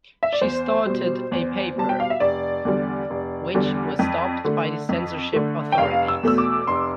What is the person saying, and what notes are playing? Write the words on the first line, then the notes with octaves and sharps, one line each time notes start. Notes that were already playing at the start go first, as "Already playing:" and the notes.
She started a paper, which was stopped by the censorship authorities.
E5
D5
E2 C5
B2 G3
E2
B2 G3 A5
G5
F5
E5
F1 D5
E2 D3 G3
F1
E2 D3 G3
F2
D3 A3
F2
D3 A3
G5
F1 F5
E6
E2 B2 A3 E6
D6
F1 C6